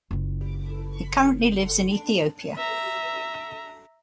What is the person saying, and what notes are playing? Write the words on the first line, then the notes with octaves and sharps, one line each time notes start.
He currently lives in Ethiopia.
F#1 F4
E5 A#5